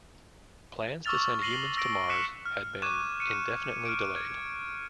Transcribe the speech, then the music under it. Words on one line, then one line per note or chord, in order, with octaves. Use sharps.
Plans to send humans to Mars had been indefinitely delayed.
C#6 D6 E6 F6 A6 F7
A#6 C7 D#7 F#7 G7
E6 A#6 D7
F#6 B6 C#7 D#7 E7
F6
C#6 D6 F#6 G#6 D#7 E7
C#7 D#7
F6 D7
G#6